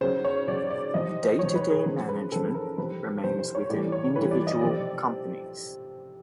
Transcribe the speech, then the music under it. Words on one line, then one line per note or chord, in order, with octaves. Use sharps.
Day-to-day management remains within individual companies.
C#3 F#3 C5
C#5
C#3 F#3 D5
D5
C3 F3 D#5
C5
C3 F3 C#5
B4
G#4
C#3 F3
B4
C#3 F3 A4
A#4
C3 F3 B4
C3 F3 C5
C5
C#5
A2 E3 G3 D5
C#5
A2 E3 G3 B4
D5
D#5
C3 F3 D5